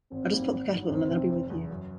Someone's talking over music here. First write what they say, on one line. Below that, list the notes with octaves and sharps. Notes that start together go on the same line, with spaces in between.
I'll just pop the kettle on and then I'll be with you.
G#1 C4
F#2 D#3 G3 A#3
G#1
G2 D#3 F#3
D2 C4
C3 D#3
F1
E2 C#3
F#2